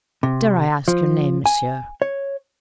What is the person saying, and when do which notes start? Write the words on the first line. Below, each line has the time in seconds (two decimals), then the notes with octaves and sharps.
Dare I ask your name, monsieur?'
0.23 C3
0.88 F3
1.46 G#5
2.02 C#5